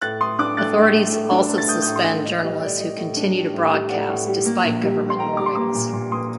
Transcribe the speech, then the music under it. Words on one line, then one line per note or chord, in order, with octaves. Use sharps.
Authorities also suspend journalists who continue to broadcast despite government warnings.
A2 F#6 A6
A3 C6 D#6
D4 D6 F#6
A3 F#6 A6
A2
A3
A2
D4
A3
A6
A3 D#6 G6
A2 D#6 G6
C6 D#6
A2
A2 D#5
G3 D#5
A2 D5
G3 D#5
A2
D4
G3
A2
G3
A2 D5 F#5
A2
G3
A#3
A#1
G3
G3
C6
G3 G5 A#5
G3 D6
C6
A#3 A#5 D6
A#2
A#2
A#3 C6 D#6